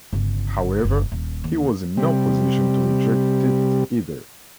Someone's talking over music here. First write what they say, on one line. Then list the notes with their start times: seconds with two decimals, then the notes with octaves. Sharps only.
However, he was in no position to reject it either.
0.13 G1 C#3
0.85 F#1
1.12 D#1
1.44 D#2
1.97 C3 G3